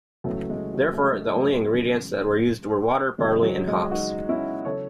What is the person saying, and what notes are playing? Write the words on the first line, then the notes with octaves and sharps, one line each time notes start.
Therefore, the only ingredients that were used were water, barley, and hops.
C#2 C#3 E3 F#3 A3
G#3
F#3
A3
G#3
F#3 A3
G#3 B3
F#2 C#3 E3
E2 C#3 F#3 G#3
F#3
G#3
D#4 F#4
C#4 E4
C#3 F#3 A4 C#5